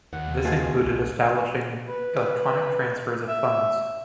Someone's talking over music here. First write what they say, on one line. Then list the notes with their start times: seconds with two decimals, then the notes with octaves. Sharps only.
This included establishing electronic transfers of funds.
0.13 D#2 F#5
0.45 B2 F4 G#4
0.66 D2
0.85 A#1
1.88 B4
3.29 E5